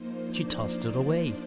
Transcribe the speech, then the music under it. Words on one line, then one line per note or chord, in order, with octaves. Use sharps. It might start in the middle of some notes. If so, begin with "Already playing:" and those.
She tossed it away.
Already playing: F3 A#3 D#4 C5
D4 D5
C5
C5